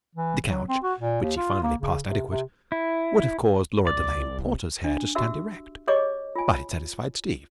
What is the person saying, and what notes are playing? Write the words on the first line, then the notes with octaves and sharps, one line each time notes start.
The couch which he finally passed adequate would have caused Lora Delane Porter's hair to stand erect, but it satisfied Steve.
E3
F#3
C4
F#4
A#2
D#2
F4
A#3
C#3
C3
C3
E4
C2 D5
D4
F#4 G4 E5 E6
G4 G#4 C#5 D#5 D6
F4 G#5